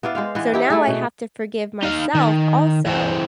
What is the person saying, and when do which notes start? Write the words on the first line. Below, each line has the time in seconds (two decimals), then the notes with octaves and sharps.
So now I have to forgive myself also,
0.03 B3 E4 D5 F5
0.15 G#3 C5 F5
0.35 E3 B3
0.53 D#4 E4 G4
0.70 A3 G#4
0.87 B2
1.83 D#4 F5
2.15 D#3
2.86 E3 C4